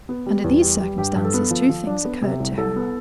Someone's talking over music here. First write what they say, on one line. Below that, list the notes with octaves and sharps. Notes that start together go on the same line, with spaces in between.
Under these circumstances two things occurred to her.
B3
G3
E2
G3
G3
G2 G4
G2
A4
B3
F3
F3
D4
B3
C3
C2
C2 A4
B3